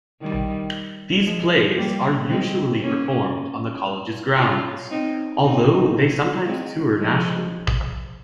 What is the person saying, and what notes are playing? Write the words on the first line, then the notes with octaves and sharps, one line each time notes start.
These plays are usually performed on the college's grounds, although they sometimes tour nationally.
D#3 G3
F3 G#3
G3 A#3
G#3 C4
A#3 C#4
C#4 F4
C4 D#4
C4 D#4
G#3 C4
F3 G#3